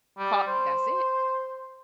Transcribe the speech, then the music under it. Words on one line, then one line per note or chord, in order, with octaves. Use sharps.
Call That's it.
G3
C5